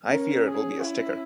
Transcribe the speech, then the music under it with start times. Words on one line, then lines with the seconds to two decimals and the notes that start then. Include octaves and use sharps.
I fear it will be a sticker.
0.10 C#4 A#4
0.46 G#4
0.81 E4